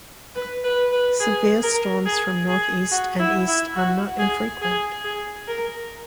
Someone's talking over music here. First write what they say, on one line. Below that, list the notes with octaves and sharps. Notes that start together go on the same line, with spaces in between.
Severe storms from northeast and east are not infrequent.
B4
B4
B4
G#4
A#4
G#4
G#4
F#4
E4
E4
F#4
G#4
G#4
G#4
A#4